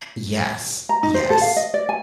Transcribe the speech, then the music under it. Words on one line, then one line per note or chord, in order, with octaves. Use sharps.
Yes, yes.
A#5
D#4
C5
A4
F5
D#5
D5
G#5